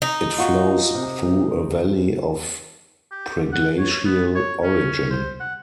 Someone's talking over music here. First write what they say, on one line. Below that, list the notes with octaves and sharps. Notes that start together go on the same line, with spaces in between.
It flows through a valley of preglacial origin.
D#4
F4 F#4
C3
G4
F#5
C#5
B3
C#5
C#4
C5
F#5